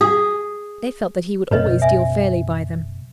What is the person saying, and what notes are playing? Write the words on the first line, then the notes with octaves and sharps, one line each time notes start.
They felt that he would always deal fairly by them.
G#4
F#1 F#2 B2 B4 C#5 D#5
E5 G#5